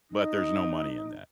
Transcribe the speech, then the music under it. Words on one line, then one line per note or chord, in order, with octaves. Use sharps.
but there's no money in that."
D#4